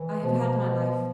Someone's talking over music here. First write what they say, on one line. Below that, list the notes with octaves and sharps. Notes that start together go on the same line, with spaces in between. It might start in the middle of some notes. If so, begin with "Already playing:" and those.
I have had my life.
Already playing: E3
B2 F3